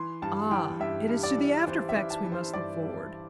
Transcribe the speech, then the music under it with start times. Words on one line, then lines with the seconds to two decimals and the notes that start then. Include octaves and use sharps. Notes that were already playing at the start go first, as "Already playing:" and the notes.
"Ah! it is to the after effects we must look forward."
Already playing: E3 C6
0.22 G2 A5
0.51 E3 G5
0.80 G2 E5
1.09 G2
1.23 D5
1.38 E3
1.67 E3 C5
1.89 E5
1.96 E3
2.10 A5
2.25 E3
2.32 C5
2.53 G2 D5
2.83 E3